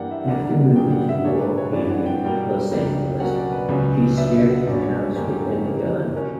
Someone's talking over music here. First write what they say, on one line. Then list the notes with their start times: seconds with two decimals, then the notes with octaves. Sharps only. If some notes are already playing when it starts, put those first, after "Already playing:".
After moving to Laurel Canyon, Los Angeles, she shared a house with Anna Gunn.
Already playing: G2 E3 G3 A#3 D4 F#5 G5
0.11 E5
0.27 D2 D3 G3 A#3 D4 F#5
0.75 C#3 F#3 B3 D4 G5
0.92 F#5
1.09 E5
1.24 A#2 A#3 D4 C#5
1.40 B4
1.58 C#5
1.73 G2 E3 B3 D5
1.90 F#5
2.06 G5
2.22 B2 G3 A#3 G5
2.71 C#2 B2 A#3 D4
3.20 B2 F#3 A#3 C#4 F#5
3.36 D5
3.53 B4
3.68 C#2 B2 F#3 C#4 B4
4.17 B2 F#3 B3 D4 E5
4.34 E5
4.51 F#5
4.67 G2 F#3 C#4 D5
4.82 C#5
5.15 F#2 D3 A#3 C#4 G4
5.64 C#3 E3 A#3
6.13 B2 A#3 C#4 A#4